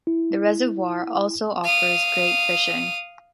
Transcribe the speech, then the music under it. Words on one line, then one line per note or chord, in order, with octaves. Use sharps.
The reservoir also offers great fishing.
E4
F5 D#6